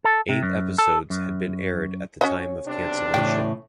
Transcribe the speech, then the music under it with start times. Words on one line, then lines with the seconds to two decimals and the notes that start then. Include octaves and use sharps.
Eight episodes had been aired at the time of cancellation.
0.04 A4
0.29 C3
0.43 F#2
0.78 A4
1.10 F#2
2.21 C#4 F#4 C#5 D#5
2.65 B1 C3 D4
3.14 A2 C#3 E3 G5